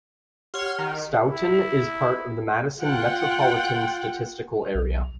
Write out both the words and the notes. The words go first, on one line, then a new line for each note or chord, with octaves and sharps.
Stoughton is part of the Madison Metropolitan Statistical Area.
G4 C#5 F#5 C6 F6
D#3
E4
F4 F#5 G5
B1